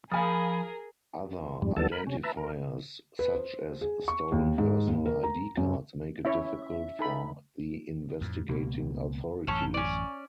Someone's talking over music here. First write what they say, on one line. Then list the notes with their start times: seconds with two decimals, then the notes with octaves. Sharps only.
Other identifiers such as stolen personal ID cards make it difficult for the investigating authorities.
0.12 F3 G#4 A#4 F5 G#5 B5 D#6
1.62 F2 G#2 G3
1.77 D#2 E3 G3 B3 A4 A5
1.92 A#4 B5
2.07 C3 C#4
2.23 B4 E5 A5 A#5 E6
2.37 A#4
3.19 B4
3.35 C5
3.81 G#4
4.08 C#6
4.32 D#2
4.58 G#2
4.87 D#2
5.06 A#4
5.23 A#5
5.57 F#2
6.25 C#4 E4 C#5 E5
6.99 D#4 A4 B5
8.21 F2 A2
8.49 C#2 B2 A#3
9.47 A1 F#2 C#4 A4
9.74 C#4 D5